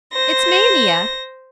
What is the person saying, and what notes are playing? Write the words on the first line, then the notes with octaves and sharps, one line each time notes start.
It's mania.
C5 A#6